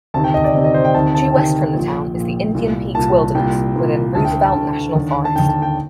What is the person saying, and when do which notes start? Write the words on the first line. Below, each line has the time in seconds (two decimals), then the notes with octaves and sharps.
Due west from the town is the Indian Peaks Wilderness within Roosevelt National Forest.
0.14 D2 C3 D#3 A5
0.24 G5
0.34 D#5
0.44 D5
0.54 D2 C3 D#3 D#5
0.64 D#5
0.74 C5
0.84 G5
0.94 D2 C3 D#3 A5
1.15 A5
1.34 D2 C3 D#3 G5
1.75 A#1 A#2
2.15 A#1 A#2
2.54 C2 A#2
2.94 C2 A#2 A5
3.35 C2 A#2 G5
3.75 C2 A#2
4.15 D2 D3 A5
4.25 G5
4.45 A5
4.55 D2 D3
4.95 D#2 D3
5.25 A5
5.36 D#2 D3 G5
5.49 A5
5.62 G5